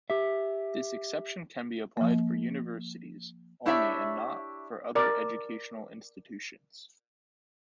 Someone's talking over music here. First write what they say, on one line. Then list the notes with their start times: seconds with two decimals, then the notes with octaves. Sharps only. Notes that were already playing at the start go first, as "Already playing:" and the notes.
This exception can be applied for universities only and not for other educational institutions.
0.10 G4 E5
1.97 F3 A#3
3.66 D4 E4 G4 C#5 D5 E5
4.95 A#4 D5